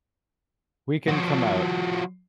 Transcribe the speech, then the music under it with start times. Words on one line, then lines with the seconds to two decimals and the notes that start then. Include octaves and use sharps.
We can come out.
1.08 F3 F#4